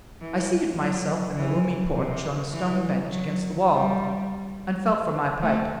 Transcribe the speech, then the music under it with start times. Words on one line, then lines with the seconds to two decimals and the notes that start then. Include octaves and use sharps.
I seated myself in the roomy porch on a stone bench against the wall, and felt for my pipe.
0.21 E3
0.79 F#3
1.36 E3
1.95 C3
2.53 E3
3.11 F#3
3.69 G3
5.43 A3